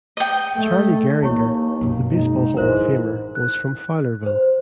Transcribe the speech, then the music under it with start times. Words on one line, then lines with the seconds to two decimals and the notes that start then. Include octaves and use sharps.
Charlie Gehringer, the baseball Hall of Famer, was from Fowlerville.
0.17 D#5 G5
0.55 A3
1.22 D#2 E3 A#3 E4 C#5 C#6
1.81 F#2 B2
2.11 G#3 D#4
2.57 A1 G#2 D4 E4 A#4 C5 E5
3.35 F#6
4.26 C5